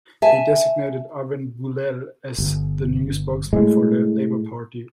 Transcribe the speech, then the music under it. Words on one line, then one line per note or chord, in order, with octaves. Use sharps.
He designated Arvin Boolell as the new spokesman for the Labour Party.
E5 G#5 A5
G1
A2 G#3